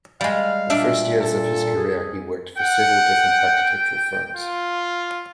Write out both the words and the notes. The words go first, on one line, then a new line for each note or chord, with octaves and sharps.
The first years of his career he worked for several different architectural firms.
G3 G#3 F5
A#2 D4 E5
A4
G#4
F#5 G5
F4